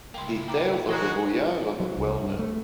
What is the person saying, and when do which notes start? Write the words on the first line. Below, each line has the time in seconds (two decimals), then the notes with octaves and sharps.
Details of the voyage are not well known.
0.14 A#3 E4 G5 C6
0.48 G5 A#5 D6
0.89 E3 F#3 G#3 F#4 A#4 C#5 A#5
1.80 F#3
1.97 C2
2.22 G2
2.39 A3